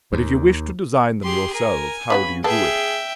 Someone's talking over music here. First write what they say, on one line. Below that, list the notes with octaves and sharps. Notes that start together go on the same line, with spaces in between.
But if you wish to design them yourselves, how do you do it?
D#2
G4 G#4 C6
A#4 G#5
C#3 B3 F#4 B5
B3 G#4 A4 E5 G5